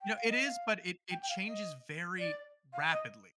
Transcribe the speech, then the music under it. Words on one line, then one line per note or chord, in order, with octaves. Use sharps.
You know, it is, but it it changes very rapidly
G5
F5
D#5
F5
G5
G5
F5
D#5
D5
F5
D#5